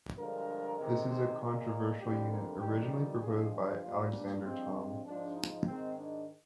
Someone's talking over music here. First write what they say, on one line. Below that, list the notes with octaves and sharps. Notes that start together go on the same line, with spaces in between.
This is a controversial unit originally proposed by Alexander Thom.
G2 D3 F3 G#3 A#4
C3 D#3 G#3
C5
A#2 G#3 A#4
F2 D3 G3 G4
A#4
F2 D#3 G3 G4
F4
G2 F3 G#3 G#4
G4
A#2 G3 F4
D4
G2 F3 G#3 C4
C4
G#2 F3 G#3 D4
D#4
G#2 D#3 G#3 C4
D4